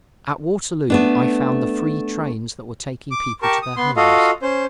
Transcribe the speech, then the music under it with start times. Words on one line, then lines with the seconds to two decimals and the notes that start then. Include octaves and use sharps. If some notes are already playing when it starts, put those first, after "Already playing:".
At Waterloo I found the free trains that were taking people to their homes.
0.90 A3 B3 D4
3.11 D6
3.43 G4 A#4 A5 C#6
3.62 D#6
3.77 B3 C6
3.97 F4 F#4 A4 D#5 F5
4.42 C#4 C5